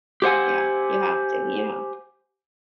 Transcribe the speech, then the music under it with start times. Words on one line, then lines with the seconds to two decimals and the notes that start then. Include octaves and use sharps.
Yeah, you have to, you know.
0.22 G4 C5 F#5 G#5